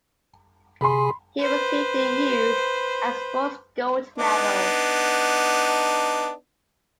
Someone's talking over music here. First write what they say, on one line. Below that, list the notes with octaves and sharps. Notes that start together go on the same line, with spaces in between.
He received the Youth and Sports gold medal.
C3 G#4 G#5 B5 C6
B4 C5
B3 D4 D#4